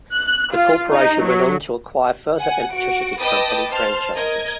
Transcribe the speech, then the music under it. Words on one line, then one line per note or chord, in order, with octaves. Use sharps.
The corporation went on to acquire further electricity company franchises.
F#6
F4
D#4
F#3
F#5 G#5
F#4 D7
B4 D#5 G5 A5 D6 D#6
C5 A5 C6 F6
A#4 D#5 G#6